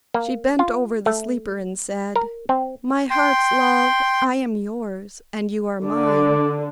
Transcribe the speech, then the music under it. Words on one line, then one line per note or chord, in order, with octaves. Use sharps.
She bent over the sleeper and said: 'My heart's love, I am yours and you are mine.
A#3
F4
A3
A#4
C4
G5 C6
D3 D5